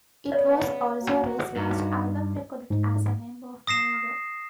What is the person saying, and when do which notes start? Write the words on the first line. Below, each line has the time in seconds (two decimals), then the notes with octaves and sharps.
It was also Ray's last album recorded as a member of Menudo.
0.32 C#3 B3 C#5 D5
1.01 A#3 F#4
1.56 G2 D#4
2.70 G#2
3.67 D#6 A#6 C7 E7